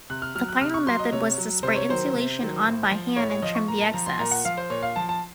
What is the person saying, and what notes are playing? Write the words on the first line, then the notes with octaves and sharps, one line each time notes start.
The final method was to spray insulation on by hand and trim the excess.
C3 F#6
F6
F#3 F6
F#6
C3 F6
C#6
F#3 C6
D#5
C3 C#5
F#3
C3 C5
C#5
D#3 F#3 C5
C3
D#3 F#3
A2
F3
A2 C#5
C#5
F3 D#5
C#6
A#2 A#5
A5
F3 A#5
C6
A#2 A#5
F#5
F3 F5
C5
A#2 C#5
F5
F3 A5
A5